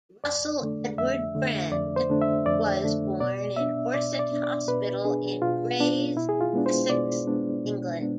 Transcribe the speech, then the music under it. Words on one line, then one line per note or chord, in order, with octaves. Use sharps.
Russell Edward Brand was born in Orsett Hospital in Grays, Essex, England.
F2 D5
D3 A3 D4
F2 E5
D3 A3 D4
F2 D5
C5
D3 A3 D4
E5
F2 D5
D3 A3 D4
B2 D5
B3 D4 E5
B2 D5
D5
B3 D4
D5
B2 B4
B3 D4 G#4
B2 F4
B3 D4
B2 E4
G#4
F4
G#3 B3 D4
C5
B2 D5
G#3 B3 D4
B2
G#3 B3 D4